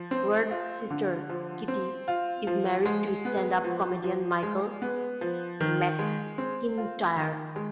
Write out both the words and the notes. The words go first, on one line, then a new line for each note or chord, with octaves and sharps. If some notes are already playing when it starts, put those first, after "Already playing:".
Ward's sister, Kitty, is married to stand-up comedian Michael McIntyre.
Already playing: F3
C4
F4
D3
F3
C4
F4
F3
G#3
B3
F3
F3
G#3
B3
F3
D#3
G#3
C4
F4
D#3
G#3